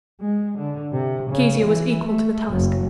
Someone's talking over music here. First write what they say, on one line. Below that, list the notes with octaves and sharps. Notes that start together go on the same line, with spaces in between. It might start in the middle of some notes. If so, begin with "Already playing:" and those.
Kezia was equal to the task.
G#3
D3
C3
C#3
E3
A3
F#1